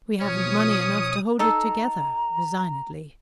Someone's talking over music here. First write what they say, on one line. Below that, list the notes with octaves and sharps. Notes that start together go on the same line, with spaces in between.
"We haven't money enough to hold it together," resignedly.
B2 F3 C#4 C#5 D#6
D#4 A4 A#5